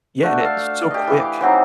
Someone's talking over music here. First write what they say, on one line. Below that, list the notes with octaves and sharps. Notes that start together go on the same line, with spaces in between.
Yeah, and it's so quick.
A3 D4 F#4
A4 F5
G4 D#5
E3 F5 D6
E3 F#3 C4 D#4